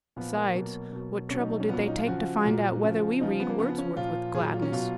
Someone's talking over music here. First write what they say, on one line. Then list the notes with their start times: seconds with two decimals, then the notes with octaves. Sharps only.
Besides, what trouble did they take to find out whether we read Wordsworth with gladness?
0.16 A#2 F3 B3
0.36 A#3
0.55 B2 F#3
0.92 B2 F#3
1.30 B2 C#4
1.34 F#3
1.40 D#4
1.50 D#4
1.60 C#4
1.68 A#2 B3
1.73 F#3
1.79 C#4
1.88 D#4
1.97 F4
2.07 C#3 F3 F#4
2.45 A#2 F#3
2.83 C#3 F3
3.20 C#3 F3 D#4
3.40 B3
3.50 A#3
3.59 C#3 F3 B3
3.78 C#4
3.97 A#2 F3 F4
4.34 A#2 F#3 G#4
4.54 F4
4.62 C#4
4.72 B2 F#3 F4